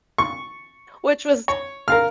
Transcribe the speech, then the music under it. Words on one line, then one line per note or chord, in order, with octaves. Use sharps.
which was
C#6
C#5
A#4 F5 F6